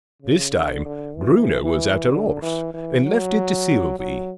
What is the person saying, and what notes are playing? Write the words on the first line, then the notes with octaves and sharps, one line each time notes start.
This time Bruno was at a loss, and left it to Sylvie.
C#3
D3
D3
E3
E3
D3
E3
E3
F#3
F#3